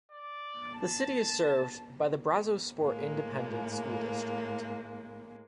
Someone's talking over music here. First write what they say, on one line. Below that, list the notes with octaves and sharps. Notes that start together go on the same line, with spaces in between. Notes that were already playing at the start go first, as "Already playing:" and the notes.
The city is served by the Brazosport Independent School District.
D5
A5
A2 G#3 A#3